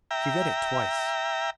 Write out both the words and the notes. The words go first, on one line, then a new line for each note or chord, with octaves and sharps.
He read it twice.
E5 G5 A#5